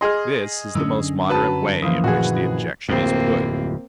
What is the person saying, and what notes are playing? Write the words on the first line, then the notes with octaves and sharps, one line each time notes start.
This is the most moderate way in which the objection is put.
G#4 D#5 C6 F6
F#2 D3 C#4 E6
F#3 B4 A5
E3 F3 A#3 D#6
A#1 F#4 G#4 B4
D1 F2 A#3 C4